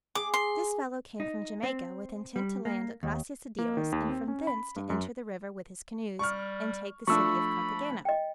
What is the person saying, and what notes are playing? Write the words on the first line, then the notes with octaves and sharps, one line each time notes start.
This fellow came from Jamaica, with intent to land at Gracias a Dios, and from thence to enter the river with his canoes, and take the city of Carthagena.
G#4 D6
C6
D#4
C4
G3
A#3
D#2
A#3
D#3
D#2
C4
C#4
B5
G2
F#2
G3 C#6 F6
F3 A3 D4 B5 C#6 E6
D#5 G5